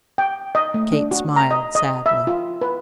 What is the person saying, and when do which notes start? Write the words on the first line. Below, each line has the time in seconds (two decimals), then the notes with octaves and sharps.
Kate smiled sadly.
0.18 G5
0.55 D#5
0.74 A3
0.92 D4
1.11 F#4
1.36 A#5
1.51 D#5
1.75 D#5
2.06 E5
2.27 F4
2.61 B4